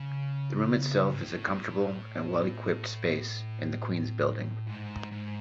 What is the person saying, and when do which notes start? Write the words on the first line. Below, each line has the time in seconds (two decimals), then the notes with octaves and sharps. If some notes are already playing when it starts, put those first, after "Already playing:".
The Room itself is a comfortable and well equipped space in the Queen's Building.
Already playing: C#3
1.12 G#2
1.21 A2
4.67 G#2
5.11 G#2